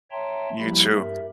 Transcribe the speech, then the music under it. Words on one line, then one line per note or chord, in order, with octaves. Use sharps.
You too.
C#5 E5 G5 A5 A#5 C6
F3 G3 A#3 E4 G4 B5
G2 G4 A#4 E5